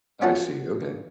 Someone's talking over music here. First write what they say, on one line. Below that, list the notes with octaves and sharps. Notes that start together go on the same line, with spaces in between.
I see, okay.
B3 C#4 F4 F#4 F#5 A5